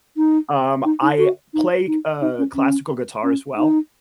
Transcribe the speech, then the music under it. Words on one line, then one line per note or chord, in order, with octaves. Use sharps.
Um, I play c uh, classical guitar as well.
D#4
D#4
D#4
F#4
D#4
D#4
D#4
C#4
C#4
C#4
D#4